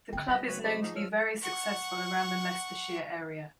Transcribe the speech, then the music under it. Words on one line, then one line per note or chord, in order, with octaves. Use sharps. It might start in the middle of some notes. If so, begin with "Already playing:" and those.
The club is known to be very successful around the Leicestershire area.
D3 C4 G5
G3 G4 D#5
C#3 F#3 B4 C#5 B5
G#4 C5 D#5 B5
G#2 F3 D#4
G2 C#5 E6 F6
F#5 C#6